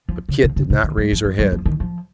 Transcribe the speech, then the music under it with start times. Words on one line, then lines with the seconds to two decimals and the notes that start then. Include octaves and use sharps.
But Kit did not raise her head.
0.09 F3
0.29 C#3
0.43 C3
0.56 C#3
0.70 C3
0.84 D#3
0.98 G3
1.12 F3
1.24 F3
1.39 G3
1.52 F3
1.66 D#3
1.80 F3